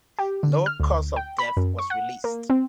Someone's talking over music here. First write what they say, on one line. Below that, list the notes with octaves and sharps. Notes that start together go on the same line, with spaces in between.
No cause of death was released.
G4
D3
F6
D2
G5
B5
F#2
C#6
F#5
A#3
C4